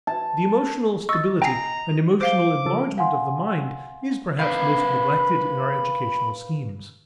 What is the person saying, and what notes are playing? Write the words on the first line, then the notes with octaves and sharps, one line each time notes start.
The emotional stability and emotional enlargement of the mind is perhaps most neglected in our educational schemes.
A5
D#5 C#6 E6 A6
G5 G#5 A#5 C7
C5 F5 D6 G7
C#3 F3 A4
F5 F#5 G#5 C6
A#4 B4 F5 B5